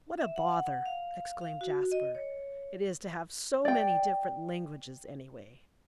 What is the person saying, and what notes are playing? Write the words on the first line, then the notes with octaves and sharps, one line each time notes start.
"What a bother," exclaimed Jasper, "it is to have so many different languages, anyway!"
E5
F#5
F5
F5
F#4
D#5
C#5
D5 G5